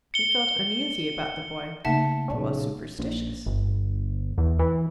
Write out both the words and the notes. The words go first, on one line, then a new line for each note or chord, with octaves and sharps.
He felt uneasy about the boy--almost superstitious.
C#7 G7
C#3 A3 A#3 D#4 E5 F#5 A5
B1 A#2 C#3 C4
A#1
G1
E2
E3